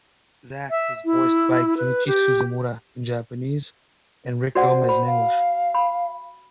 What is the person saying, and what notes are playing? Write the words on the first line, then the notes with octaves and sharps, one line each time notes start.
Zack is voiced by Kenichi Suzumura in Japanese and Rick Gomez in English.
E5
E4
B4
G4
F#4 C5 D5 F#5
B5
F5
B5